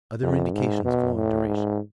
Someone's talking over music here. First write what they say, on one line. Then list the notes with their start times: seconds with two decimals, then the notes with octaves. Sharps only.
Other indications of long duration.
0.23 F2
0.54 G#2
0.85 B2
1.15 A2
1.47 G#2